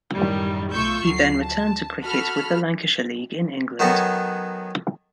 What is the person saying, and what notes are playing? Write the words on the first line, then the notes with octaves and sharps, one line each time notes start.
He then returned to cricket with the Lancashire League in England.
F#2 A2 D#3 G3
B1 A3 F4 C#6 E6 G6
D2 F#3 C7
A5
F#4 A4 B5 F6
D#3 F#3 B3 C#4 F#4 A4